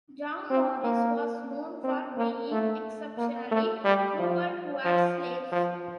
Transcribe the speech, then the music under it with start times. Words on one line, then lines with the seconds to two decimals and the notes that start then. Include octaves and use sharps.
John Maurice was known for being exceptionally cruel towards slaves.
0.50 C4
0.83 A#3
1.84 C4
2.17 A#3
2.51 A3
3.18 A#3
3.51 A3
3.85 G3
4.18 F3
4.85 F3
5.52 F3